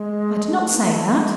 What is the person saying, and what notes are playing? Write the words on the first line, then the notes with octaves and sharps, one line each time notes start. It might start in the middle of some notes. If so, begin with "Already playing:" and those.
"I did not say that."
Already playing: G#3
A3
B3
A3
G#3